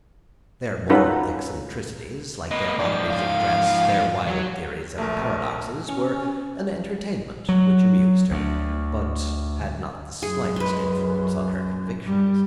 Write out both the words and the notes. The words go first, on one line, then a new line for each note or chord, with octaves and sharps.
Their moral eccentricities, like their oddities of dress, their wild theories and paradoxes, were an entertainment which amused her, but had not the slightest influence on her convictions.
C#4 D#4 F4 F#4 A4 B4
A#3 B4 D#5
G#2 F3 D5
F5
F#3
A#1 A3 A#4
C#4
F#3
D2
F#2 G#4
G#3 B4
G2 G3